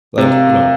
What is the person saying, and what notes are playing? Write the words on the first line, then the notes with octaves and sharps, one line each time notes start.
like, you know,
C3 A#3 F4 A#4 D#5